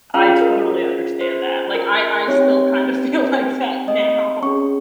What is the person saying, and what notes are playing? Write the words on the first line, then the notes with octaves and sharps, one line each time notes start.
I totally understand that, like, I I still kinda feel like that now.
C#4 F4 G#4 F5
A#4
C5
A#4
C4 D#4 G4 C#5
D#5
C#4 G#4 C#6